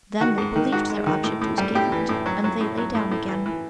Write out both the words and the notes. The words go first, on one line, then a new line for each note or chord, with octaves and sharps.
Then they believed their object was gained, and they lay down again.
D#3 F#4
G#2
D#3
G#2 F#4
G#3
D#3
A2
A2
G3
A2 G4
E3
A2
F#3
F#3
A2
F#3
A2
A2
E3
E3